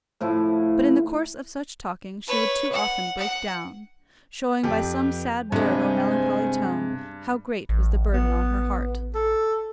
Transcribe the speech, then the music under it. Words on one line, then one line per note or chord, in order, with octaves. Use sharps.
But in the course of such talking she would too often break down, showing by some sad word or melancholy tone how great was the burden on her heart.
A2 F3 E4
B4 C#5
F#5
F#5
F2 G4 B4
G2 C3 G#3 C5 G#5
A1
B3
A4